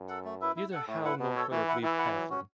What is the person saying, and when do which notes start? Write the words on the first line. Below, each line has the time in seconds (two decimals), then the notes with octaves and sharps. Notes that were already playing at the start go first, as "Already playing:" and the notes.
Neither Hal nor Claire believe Catherine.
Already playing: F#2
0.09 A4 F#5
0.25 A3
0.41 E4 B4 E5
0.56 E4
0.72 A4 F#5
0.88 A2 A3
1.04 E4 B4 F#5
1.20 B2 B3
1.36 A4 C#5
1.51 E3 A3
1.68 E4 B4 F#5
1.83 E3 E4
1.98 B4 F#5
2.15 F#3
2.30 C#4 F#4